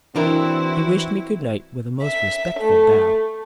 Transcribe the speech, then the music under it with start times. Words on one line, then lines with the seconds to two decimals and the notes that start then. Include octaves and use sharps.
He wished me good night with a most respectful bow.
0.16 E3 C4 D4 E4 F#4 A#4
2.03 E5
2.59 A3